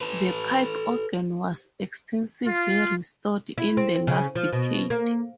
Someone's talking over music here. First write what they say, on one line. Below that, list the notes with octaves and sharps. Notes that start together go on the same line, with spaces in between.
The pipe organ was extensively restored in the last decade.
A4 B4
F4
E4
C4
C#3
F3
B2
A#3